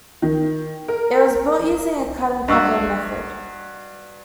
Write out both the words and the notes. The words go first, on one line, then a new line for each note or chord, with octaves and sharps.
It was built using a cut-and cover method.
D#3
A#4
G2 F#4 D#5 C#6 E6